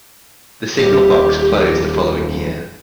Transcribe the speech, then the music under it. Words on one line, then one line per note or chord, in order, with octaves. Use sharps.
The signal box closed the following year.
D#1 G4